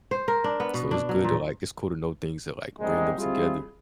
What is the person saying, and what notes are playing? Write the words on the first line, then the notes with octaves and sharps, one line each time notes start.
So, it's good to, like it's cool to know things that, like, bring them together.
C5
A#4
D4
B3
B2
D4
F#3
A#2
A#1 G#2 C3 G3 G#3 D#4
G3 G#3 C4 E4 F4 G#4